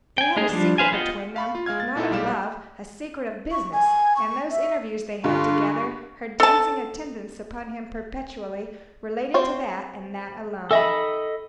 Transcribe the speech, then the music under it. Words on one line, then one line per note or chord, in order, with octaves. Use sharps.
"They had a secret between them--not of love--a secret of business; and those interviews they had together, her dancing attendance upon him perpetually, related to that, and that alone."
G5 G#5
G#3 A3 D#4 G#4
F3 G3 D4
B4 C5 F5 G#5
B3 F4 D#5 F#5 G5
F5 B5 C#6
F4
G#3 F5 F6 G#6
A6
A#2 D#4 E4 A4
B1 G3 G4 F5 E7
C#6
G#5
C#6
E5
G2 D3 F4 C#6
A4 A5
C4 C5 C#5
D#3 A4 D#5 E5 G#5 B5